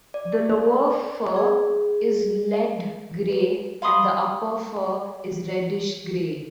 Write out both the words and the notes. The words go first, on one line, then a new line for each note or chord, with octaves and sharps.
The lower fur is lead-grey and the upper fur is reddish-grey.
D5
G#4
B4
F5 B5 C6 D#6